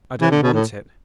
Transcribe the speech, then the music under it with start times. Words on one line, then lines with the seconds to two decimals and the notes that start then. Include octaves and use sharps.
I don't want it.
0.21 E3
0.31 D3
0.43 B2
0.54 A2